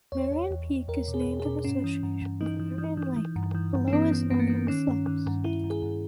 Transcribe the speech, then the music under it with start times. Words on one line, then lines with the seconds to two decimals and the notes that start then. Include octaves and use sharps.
Marion Peak is named in association with Marion Lake below is northern slopes.
0.12 E2 C#5
0.31 E2
0.51 E2
0.69 E2
0.88 E2 A#4
1.08 B2
1.14 G#4
1.26 E2
1.40 G#4
1.45 B2
1.64 G2 C#4
1.84 E3
2.03 G2
2.22 G2
2.40 E3 D#4
2.59 E3
2.78 E3
2.97 E3
3.16 E3
3.36 G2
3.55 E3
3.74 G2
3.88 C#4
3.93 E3 B3
4.12 E3
4.30 G2 B3
4.40 A#3
4.48 E3 B3
4.68 D#3 C#4
4.88 G2
5.07 D#3
5.26 G2
5.44 G2 E4
5.64 G2
5.70 G#4
5.82 G2